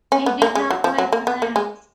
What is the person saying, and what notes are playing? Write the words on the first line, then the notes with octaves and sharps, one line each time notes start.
He did not play for them.
C#4
B3
A#3
G#3
F#3
F3
F#3
A#3
B3
A#3
G#3